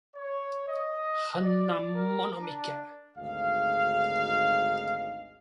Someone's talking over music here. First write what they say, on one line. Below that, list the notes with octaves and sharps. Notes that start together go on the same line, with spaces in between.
Hen na Mono Mikke!
C#5
D#5
D5
A#4
D4
G#1 D2 D#4 G#4 F5